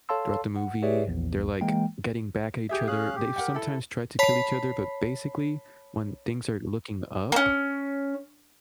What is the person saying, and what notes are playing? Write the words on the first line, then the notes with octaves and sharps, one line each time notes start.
throughout the movie, they're, like, getting back at each other they've sometimes tried to kill each other, but, basically, when things are looking up
A4 C#5 F5 A5 C6 E6
F#5
G4 G#4 B4 C#5 D5 E5
A#1 E2
E3 G#3 A#3 G5
G4 G#4 E5
C#4 G#4 F5 F#6
G4
A#4 F#5 G5
E4 A4
C#5 A5 B5 B6 C7
A#3 C#4